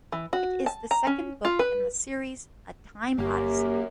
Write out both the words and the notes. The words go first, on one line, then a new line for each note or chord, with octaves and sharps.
It is the second book in the series "A Time Odyssey".
E3
F#4
A5
A#5
C#4
F4
B4
G1 F#2 A#3 G4